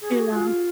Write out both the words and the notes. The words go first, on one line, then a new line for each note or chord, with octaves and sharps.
You know.
G#4
F#4
G#4
F4